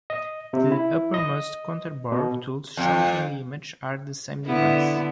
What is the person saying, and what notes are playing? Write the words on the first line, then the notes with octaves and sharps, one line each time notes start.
The uppermost counterbore tools shown in the image are the same device.
D#5
C3
E4
D#5
B2
F2
D3 B3 E4